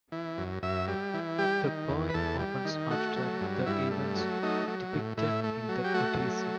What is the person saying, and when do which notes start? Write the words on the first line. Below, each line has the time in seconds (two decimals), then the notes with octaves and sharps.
The poem opens after the events depicted in the Odyssey.
0.12 E3
0.38 F#2
0.63 F#2 E5
0.88 G3
1.14 E3
1.38 G3 G4
1.63 D#3
1.89 E2
2.09 B4
2.14 E2 A4
2.40 G3
2.65 D#3
2.90 A3 F#4
3.16 F#3
3.41 G2
3.66 G2 E4
3.91 A3
4.16 F#3
4.43 A3 D#4
4.68 F#3
4.93 A2
5.17 A2 E4
5.44 A3
5.69 F#3
5.84 G4
5.94 A3 F#4
6.19 F#3